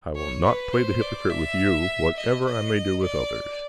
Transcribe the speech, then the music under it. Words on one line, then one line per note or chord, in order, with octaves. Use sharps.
I will not play the hypocrite with you, whatever I may do with others.
C#5
B4
C5
D5
E5
D#5
D#5
D5